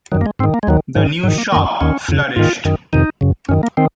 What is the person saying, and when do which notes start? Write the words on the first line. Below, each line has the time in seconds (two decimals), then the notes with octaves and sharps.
The new shop flourished.
0.12 D#3 F#3
0.15 F#2
0.21 A#3
0.26 G#3
0.39 G#2 C4
0.44 D#3
0.54 A#3
0.63 G#3
0.67 D#2 D#3 F#3
0.95 G#2 D#3 F3
1.23 G#2 D#3 F#3
1.38 A#3
1.52 D#3 A#3
1.56 F#2
1.81 D#2 D#3 C#4
2.08 F2 C#3
2.36 G#2 D#3 F4
2.65 F#2 D#3
2.93 F2 C3 D#3 D#4
3.21 F#2 C#3
3.49 F#2 D#3 C#4
3.63 A#3
3.77 D#3 C4